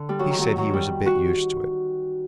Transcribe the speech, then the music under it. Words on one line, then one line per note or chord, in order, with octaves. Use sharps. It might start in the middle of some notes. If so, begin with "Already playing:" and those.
He said he was a bit used to it.
Already playing: D3
G3
F#3
D#3
F#3
F#3
G3
F#4